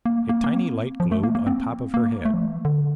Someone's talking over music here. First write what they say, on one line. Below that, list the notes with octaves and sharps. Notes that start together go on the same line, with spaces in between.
A tiny light glowed on top of her head.
A#3
A#3
A#3
C4
F3
A3
A#3
A#3
C4
A#3
A3
F3
E3
D3